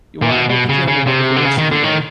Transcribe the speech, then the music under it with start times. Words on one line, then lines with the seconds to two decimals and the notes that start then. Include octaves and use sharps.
Y well, I hope that you have a wonderful rest of your day.
0.22 A#2
0.31 B2
0.50 B2
0.69 C#3
0.88 C#3
1.07 C3
1.36 D3
1.45 C#3
1.58 D#3
1.71 D3
1.83 D#3